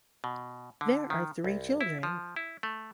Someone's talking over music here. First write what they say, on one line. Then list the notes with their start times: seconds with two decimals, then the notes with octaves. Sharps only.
There are three children.
0.24 B2
0.81 D3
1.10 D#3
1.44 C2
1.81 E4
2.03 F3
2.36 E4
2.63 A3